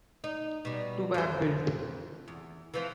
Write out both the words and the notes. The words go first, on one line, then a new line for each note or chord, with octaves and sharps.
Two were built.
D#4
B2 G3
F2 C5
E2
E3 F3 C4